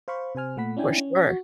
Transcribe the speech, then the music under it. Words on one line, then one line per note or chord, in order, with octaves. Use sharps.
For sure.
C5 F5 B5 C#6
C3 C5 G#5 F6
A#2 A3 F#5 B5 B6
C#4 D4 E4 G5 G#5
C#4
F#4